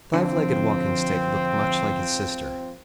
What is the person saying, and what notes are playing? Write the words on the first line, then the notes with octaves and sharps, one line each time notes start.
The Five-Legged Walking-Stick looked much like his sister.
F2 G#2 D3 F3 C4